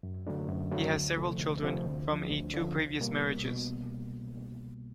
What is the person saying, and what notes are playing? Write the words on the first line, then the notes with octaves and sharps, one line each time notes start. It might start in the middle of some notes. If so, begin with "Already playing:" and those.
He has several children from a two previous marriages.
F#2
D3 F#3 A3 D4
F#2
D3 F#3 A3 D4
D2
C3 F3 A3
D2
C3 F3 A3
D2
D3 F3
D2
D3 F3
C2
B2 G3 A#3
C2
B2